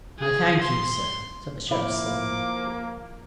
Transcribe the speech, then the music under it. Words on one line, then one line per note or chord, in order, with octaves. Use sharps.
"I thank you, sir," said the Sheriff slowly.
G#4
C6
F3 A#3 E4 D6